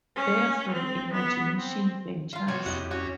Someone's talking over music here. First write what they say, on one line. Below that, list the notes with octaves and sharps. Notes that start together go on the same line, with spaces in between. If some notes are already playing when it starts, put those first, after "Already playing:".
Bear from Imagination Ventures.
C#4
C4
B3
C4
F4 F5
C3 F#4 C#5
F2 E4 G4 D#5 F#5
C#4 F#4